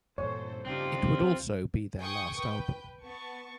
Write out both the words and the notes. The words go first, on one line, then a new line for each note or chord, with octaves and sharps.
It would also be their last album.
G2 A#2 E3 A4 C5 C#5
G2 C#3 C4 D4 D#4 F4 G4
G#4 G5 C#6 D#6
B4 G5
B3 A5 C#6